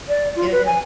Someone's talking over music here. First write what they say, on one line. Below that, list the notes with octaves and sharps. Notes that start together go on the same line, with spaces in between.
Yeah, yeah.
D5
F4
B4
G#5